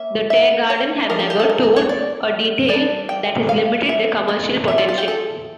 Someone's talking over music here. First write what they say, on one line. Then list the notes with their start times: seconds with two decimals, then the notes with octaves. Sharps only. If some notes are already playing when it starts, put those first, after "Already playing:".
The Tear Garden have never toured, a detail that has limited their commercial potential.
Already playing: A#3 C#4 E5
0.30 E5
0.70 C#5
1.10 F3 A3 D4 A#4
1.19 F4
1.30 G4
1.40 A4
1.50 A#4
1.63 A#4
1.76 C#5
1.89 D5
2.69 G3 D4 D5
3.09 G5
3.49 F5
3.89 E5
4.28 E3 A3
4.68 E5
4.78 F4
4.89 F4
4.98 G4
5.08 A4